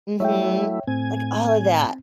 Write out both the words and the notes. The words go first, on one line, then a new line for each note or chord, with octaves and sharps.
Mhm. Like, all of that.
F#3 A3 E4 C#5 E5 G5
A2 C4 G#5